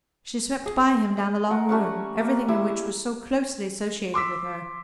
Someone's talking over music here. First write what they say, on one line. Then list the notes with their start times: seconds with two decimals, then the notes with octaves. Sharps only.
She swept by him down the long room, everything in which was so closely associated with her.
0.66 G#4
1.18 D#6
1.51 A#4 F#5
1.69 G3 A3 C#4 F#5
2.21 A#3
2.48 G3 E4 D#6 E6
4.14 C6 D6 E6 B6